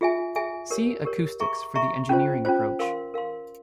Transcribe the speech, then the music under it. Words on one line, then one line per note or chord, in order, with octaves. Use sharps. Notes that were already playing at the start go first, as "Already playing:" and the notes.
See acoustics for the engineering approach.
F4 G#4 E5 G#5
F4 G#4 E5 G#5
G4 A#4 C#5
G4 A#4 C#5
G#4 E5 A#5 C#6
G#4 E5 A#5 C#6
C#4 F4 C5
C#4 F4 C5
A#4 F5 C6
A#4 F5 C6